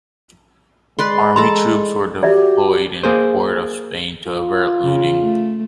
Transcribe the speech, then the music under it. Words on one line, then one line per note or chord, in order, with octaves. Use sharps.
Army troops were deployed in Port of Spain to avert looting.
G#3 B4 D5 C6
A4 A5 A#5 C6
F#4 G4 D5 E5
A#3 G#4 C5
F4
C#3
A3